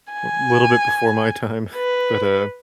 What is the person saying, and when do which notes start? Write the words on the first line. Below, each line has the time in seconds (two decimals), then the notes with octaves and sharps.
a little bit before my time, but uh,
0.13 G#5
1.76 B4